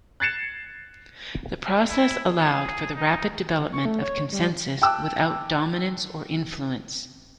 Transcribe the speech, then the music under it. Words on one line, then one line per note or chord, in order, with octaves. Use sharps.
The process allowed for the rapid development of consensus without dominance or influence.
F#6 G#6 A6 C7 C#7 E7
E4
G#4
D#4
C#6
A3
C#5
G3
G5 A5 D6 E6 F#6